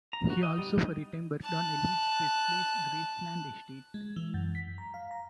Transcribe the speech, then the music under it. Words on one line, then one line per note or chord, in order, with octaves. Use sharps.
He also for a time worked on Elvis Presley's Graceland estate.
A#5
F#4
D#5
G3
D#4
A5 F#6
G#3
E3
F#2
B6
A#5
F5
A#5